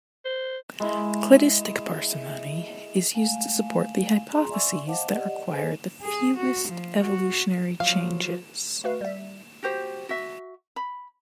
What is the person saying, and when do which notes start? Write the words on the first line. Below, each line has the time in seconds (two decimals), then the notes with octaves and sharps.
Cladistic parsimony is used to support the hypotheses that require the fewest evolutionary changes.
0.25 C5
0.80 G#3 E4
3.14 G#3 A3 F5 G#5
4.32 F4 G#4 A#5 C6
4.50 D5 E5 G#5 C6 C#6 E6
4.86 C5 D#5 F5 F#5 A5 D6
5.09 G4 D5 D#5 F#5
5.51 G#4 A4 B4 C5 D#5 G#5
6.02 G#4
6.37 F#4
6.68 F3
7.01 F#4
7.80 F3 F#3 F5
8.84 A3 F#4 B4 F5
9.01 G3 E5
9.63 F#4 G4 C5
10.09 F#4 E5
10.76 B5